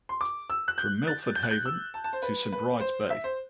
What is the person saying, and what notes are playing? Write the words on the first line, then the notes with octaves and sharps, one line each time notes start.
From Milford Haven to St Brides Bay.
C6
D6
E6
F#6
G6
A6
G6
F#6
G6
E6
A5
A5
C5
B4
B4
C5
E5
C5